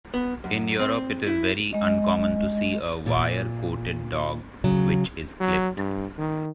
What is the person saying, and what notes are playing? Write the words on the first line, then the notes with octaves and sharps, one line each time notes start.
In Europe, it is very uncommon to see a wire-coated dog which is clipped.
B3
F#2
C4
E4
G#3 D#5
A#2
C#3 F#3
F#3
G2
D#3